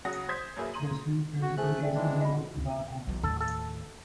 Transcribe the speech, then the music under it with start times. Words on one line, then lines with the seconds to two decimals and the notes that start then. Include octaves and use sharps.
The school principal is Lino Bracco.
0.05 C#3 F#3 F#5 D#6 A#6
0.29 C5 D#6 G6 G#6 B6
0.56 F#2 F#3 A#3 G#4 B4 E5
0.74 A#5 C6 D#7 F#7
1.42 F#4
1.57 A3 G#4 C5 G#5 F#6
1.82 D5 E5 G5
1.95 E3 G#3 D4
2.21 D#5 B5
3.07 B1 E3
3.23 D#2 A2 A4
3.41 A4